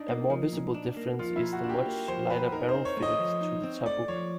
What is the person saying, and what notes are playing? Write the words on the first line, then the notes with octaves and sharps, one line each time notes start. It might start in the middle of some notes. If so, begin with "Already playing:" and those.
A more visible difference is the much lighter barrel fitted to the Tabuk.
Already playing: D4 D#4
A#3
F3
A#2
D4
A#3
F3 F4
E4
A#2
F#4
D4
G4
A#3
F3 C5
A#2 B4
D#4 A#4
C5
C4
C#5
A3
D#5
F3
D#4
C4
A3 D5
F3 C#5